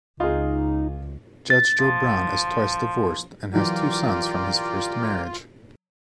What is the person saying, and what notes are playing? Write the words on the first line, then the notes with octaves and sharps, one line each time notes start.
Judge Joe Brown is twice divorced and has two sons from his first marriage.
C#2 D#4 F4 G#4
A6
F3
E3 F#3 F4 G4 A#4 D5